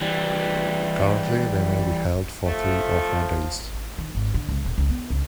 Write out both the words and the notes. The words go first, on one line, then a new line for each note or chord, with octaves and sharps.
Currently they may be held for three or four days.
E3 G3
F3 A3
D#3
G#1
D3
C#2
D#1
C#2
B3
C#2